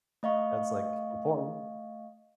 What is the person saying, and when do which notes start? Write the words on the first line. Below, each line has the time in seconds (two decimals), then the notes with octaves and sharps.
that's, like, important.
0.23 A3 D#5 F5 C#6